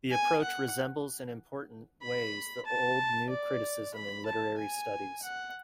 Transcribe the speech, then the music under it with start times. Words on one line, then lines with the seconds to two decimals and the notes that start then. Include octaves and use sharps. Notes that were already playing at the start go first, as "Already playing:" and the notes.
The approach resembles in important ways the old New Criticism in literary studies.
0.11 G#5
0.42 F#5
2.02 B5
2.66 A5
3.30 D5
3.95 B5
4.26 A5
4.58 G#5
5.22 F#5